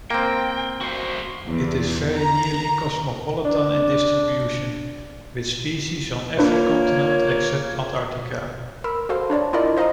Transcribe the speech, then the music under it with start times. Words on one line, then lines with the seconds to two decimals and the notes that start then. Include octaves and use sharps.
It is very nearly cosmopolitan in distribution, with species on every continent except Antarctica.
0.10 A#3 C4 G5
0.81 F#4 C5
1.46 E2
2.16 A#5
3.45 D4
6.39 A#2 A#3 D4 B4 C#5
8.84 A#4 B5 E6
9.09 F#4 A4 C5 F5 C6
9.30 D4 C#5 D5 A5
9.53 E4 F4 A#4 D5 D#5
9.77 C5 D#5 F5 A#5 D#6